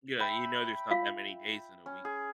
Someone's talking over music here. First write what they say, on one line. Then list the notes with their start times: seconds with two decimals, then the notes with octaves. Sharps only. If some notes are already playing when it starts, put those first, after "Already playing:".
Yeah, you know, there's not that many days in a week,
0.19 E5 G5 B5
0.91 F4 F5
1.86 C#4
2.05 G#4